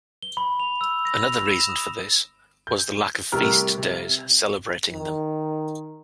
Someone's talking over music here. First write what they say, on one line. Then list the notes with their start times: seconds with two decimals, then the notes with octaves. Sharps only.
Another reason for this was the lack of feast-days celebrating them.
0.22 G7
0.37 B5
0.60 F7
0.81 E6
1.05 A#6
1.23 F7
1.46 E7
1.69 D#6
2.67 G6
3.32 A2 C3 G3 A#4 A#5 F6
3.77 C3
4.93 D#3